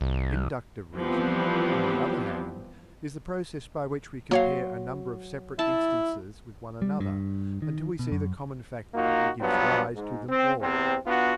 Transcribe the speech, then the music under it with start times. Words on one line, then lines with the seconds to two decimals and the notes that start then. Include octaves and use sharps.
Inductive reasoning; on the other hand, is the process by which we compare a number of separate instances with one another until we see the common factor that gives rise to them all.
0.01 C2
0.97 E3 F3 G3 B3 C4 G4
4.31 F#3 A#3 C#5 F5 C6
5.59 E4 A5
6.82 G3
7.00 G2
7.62 D#3
7.99 B2
8.12 F#2
8.95 A#3 D#4 F4 F#4
9.40 G2 F3 F#3 B3
9.94 G#2
10.28 C4
10.60 E2 C3 C4
11.06 B3 D4 F4 F#4